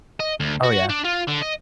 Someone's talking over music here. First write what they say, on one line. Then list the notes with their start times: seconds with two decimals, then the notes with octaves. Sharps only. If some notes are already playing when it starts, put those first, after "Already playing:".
Oh, yeah.
0.20 D#5
0.40 D2
0.64 F#4
0.90 D4
1.05 F4
1.28 D3
1.43 D#5